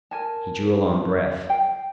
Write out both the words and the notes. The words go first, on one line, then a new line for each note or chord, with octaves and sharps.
He drew a long breath.
A#4 G#5 A5
F5 G5